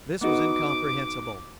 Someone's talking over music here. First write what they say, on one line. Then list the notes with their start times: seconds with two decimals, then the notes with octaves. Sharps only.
This was incomprehensible.
0.21 B3 D#4 F#4 D6